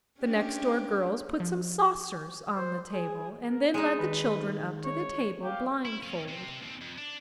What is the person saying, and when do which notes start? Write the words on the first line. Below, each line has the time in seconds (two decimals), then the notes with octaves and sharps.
The next-door girls put some saucers on the table and then led the children up to the table, blindfold.
0.20 C#4 D4 G4
1.40 F3
2.56 C5
2.90 G#4
3.42 A#4
3.74 G#3 D#4 G#4 D#6
3.99 D#3 B4
4.84 C#5
5.43 G4 F5
5.85 E4
6.03 F3 C#4
6.28 C3 C4
6.62 D#2 C4
6.81 F2
6.98 D4